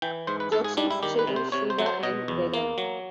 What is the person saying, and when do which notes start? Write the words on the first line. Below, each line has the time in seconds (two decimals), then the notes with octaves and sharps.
Jokshan's children Sheba and Dedan.
0.02 E3 G5
0.27 G#2 C5
0.40 B4
0.52 G#2 A4
0.64 G#4
0.77 G3 D4
0.91 E4
1.03 D#3 G4
1.19 B4
1.27 C3
1.36 C5
1.52 C3 C#5
1.70 C5
1.79 F#3
1.86 C5
2.03 B2 D#5
2.28 E2
2.54 A#3
2.78 F#3